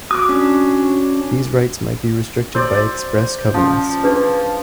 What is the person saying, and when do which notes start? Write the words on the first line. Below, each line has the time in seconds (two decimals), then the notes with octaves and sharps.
These rights might be restricted by express covenants.
0.11 F#4 D6 D#6
0.29 C#4 D4
2.55 F#4 C5 D5 E6
3.54 F3 C#4
4.03 D4 G#4 B4